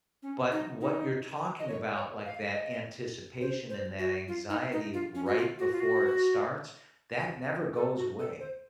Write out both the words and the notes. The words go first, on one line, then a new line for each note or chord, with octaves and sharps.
but what you're talking about, like that anticipation and that anxiety right before it starts, that never goes away.
C#4
D#4
D#4
D#5
C#5
C#5
F5
D#5
C5
C5
F#4
F4
D#4
D#4
F4
C#4
F#4
F4
F#4
F4
F#4
A4
F#4
A4
C5